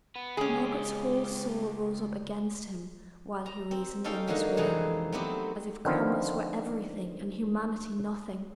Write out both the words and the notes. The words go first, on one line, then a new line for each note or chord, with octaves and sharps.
Margaret's whole soul rose up against him while he reasoned in this way--as if commerce were everything and humanity nothing.
B3
C#2 C#4 G4 G#4
A#5
C4
C#4 D#4 A4 F5 G5
D3 F#3 G#3 A#3 D#4
F2 C3 E3 D#4 G#4 A#5
F#3 A3 B3 C4 G4
D3 D#3 F3 B3 C4 F4